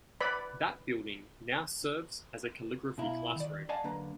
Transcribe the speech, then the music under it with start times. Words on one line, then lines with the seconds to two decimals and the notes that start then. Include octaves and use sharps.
That building now serves as a calligraphy classroom.
0.21 B4 D5 B5
2.98 B2 E4 F5 A#5
3.36 D#3 D5
3.69 D5 D#5 F5 F#5 G#5 A5
3.84 F#2 D3 A#3 B4 A#5